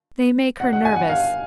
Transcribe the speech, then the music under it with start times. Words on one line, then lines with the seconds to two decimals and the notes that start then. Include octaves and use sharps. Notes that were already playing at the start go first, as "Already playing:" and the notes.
They make her nervous.
0.60 F#5
0.73 F#5
0.85 G#5
0.96 F#5
1.09 F5